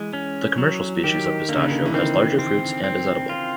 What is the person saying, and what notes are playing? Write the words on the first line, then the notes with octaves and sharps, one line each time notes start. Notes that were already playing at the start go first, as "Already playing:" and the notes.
The commercial species of pistachio has larger fruits and is edible.
Already playing: E3 G#3
C#4
F#3
D#3 G4
D#3
D3 A#3
C#3
D3
D#3
E3
D#3 C4
C4
C4
F4